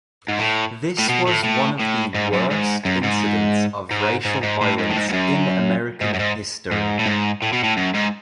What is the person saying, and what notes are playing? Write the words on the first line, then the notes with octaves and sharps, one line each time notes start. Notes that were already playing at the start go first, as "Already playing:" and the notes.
This was one of the worst incidents of racial violence in American history.
G#2
A2
A2
B2
A2
A2
A2
G#2
F#2
G#2
F#2
G#2
G#2
G#2
G#2
A2
G#2
A2
G#2
G#2
F#2
G#2
F#2
G#2
G#2
A2
G#2
A2
B2
A2
F#2
G#2